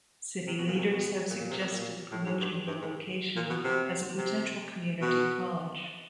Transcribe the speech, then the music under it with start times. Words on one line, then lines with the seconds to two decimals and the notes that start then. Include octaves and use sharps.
City leaders have suggested promoting the location as a potential community college.
0.47 C3
0.58 B2
0.68 A#2
0.74 C#3
0.78 C3
0.88 B2
1.30 A#2
1.40 A#2
1.50 C3
1.61 B2
1.71 A#2
2.12 A2
2.26 G#2
2.40 G2
2.67 G2
2.81 G#2
3.36 A#2
3.50 B2
3.64 C3
4.18 C3
5.01 B2